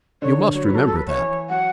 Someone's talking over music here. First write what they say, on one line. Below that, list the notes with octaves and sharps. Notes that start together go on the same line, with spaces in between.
You must remember that.
D3 C#5
F#3 C#5
B4
F#3
A4
A4
B4
C#5
E3
F#3 F#5